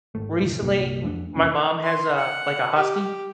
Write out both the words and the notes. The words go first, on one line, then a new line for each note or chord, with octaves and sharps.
recently w my mom has a, like, a husky
G#1 A3
E1 C#2 A2 D#3
C2 G2 A#2
F2 A3 D4
F1 D#2 C#4
C6
F#5
G4